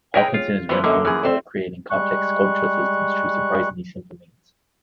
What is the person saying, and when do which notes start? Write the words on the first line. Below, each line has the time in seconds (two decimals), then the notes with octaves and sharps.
Hawkinson is renowned for creating complex sculptural systems through surprisingly simple means.
0.14 E4 G#4 A#4 B4 C#5 G5
0.34 F4
0.69 E3 F3 G3 B3 C5
0.84 A#2 D3 A#3 A4 D#5
1.05 F#2 E3 F3 G#4
1.23 A3 C4 D5
1.90 G3 G#3 C#6 F#6